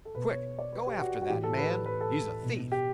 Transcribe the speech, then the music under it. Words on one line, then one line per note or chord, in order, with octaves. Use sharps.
"Quick--go after that man--he's a thief!"
A4
B2 B4
C#5
D5
B4
G4
F#4
F#4
A2 E3 G4
A4
B4
B4
A4
B2
G4